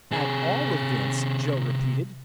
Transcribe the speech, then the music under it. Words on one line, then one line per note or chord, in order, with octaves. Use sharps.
"At all events!" Joe repeated.
C3 G#4